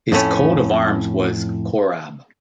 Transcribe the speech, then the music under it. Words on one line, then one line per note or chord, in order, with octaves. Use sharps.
His coat of arms was "Korab".
F2 A2 A3 C#4